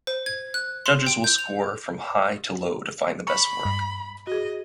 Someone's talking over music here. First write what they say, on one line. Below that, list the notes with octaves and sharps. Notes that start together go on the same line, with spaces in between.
Judges will score from high to low to find the best work.
C5
G#6
F#6
C6
G5
G6
F7
B5 C#6
G2
F#4 G#4 D#5